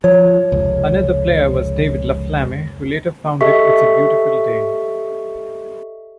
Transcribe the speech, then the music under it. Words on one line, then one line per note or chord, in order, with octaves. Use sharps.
Another player was David LaFlamme who later founded It's a Beautiful Day.
F3 C#5
F1 C#2
G4 A4 D#5 E5 C#6 B6